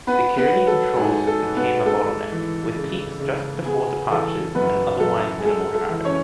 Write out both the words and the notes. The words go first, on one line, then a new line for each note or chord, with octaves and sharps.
Security controls became a bottle-neck, with peaks just before departures and otherwise minimal traffic.
B3 B4
B3 B4
F#3
A4
G#2 G#4
A4
G#2
B3 B4
G#3 A4
E3
C#3
C#3
B3 G#4
E3 A4
F#2 B3 B4
F#2 A4
G#4
G#3 A4
A4
E3
C#4 C#5